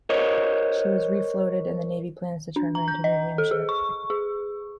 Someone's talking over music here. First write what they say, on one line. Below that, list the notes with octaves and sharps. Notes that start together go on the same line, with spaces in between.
She was refloated and the navy plans to turn her into a museum ship.
A#4 C5 C#5 D#5
D4
A#5
G6
D#5
A4
G#4
C#6
G#4